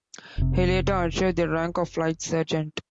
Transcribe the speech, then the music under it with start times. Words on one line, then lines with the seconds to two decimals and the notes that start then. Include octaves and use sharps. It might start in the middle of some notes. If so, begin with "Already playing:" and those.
He later achieved the rank of Flight Sergeant.
0.38 F1 C3